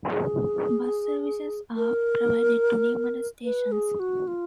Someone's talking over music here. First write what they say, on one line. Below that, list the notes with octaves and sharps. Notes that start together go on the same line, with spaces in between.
Bus services are provided to numerous stations.
G#4
A#4
B4
G#4
F#4
F4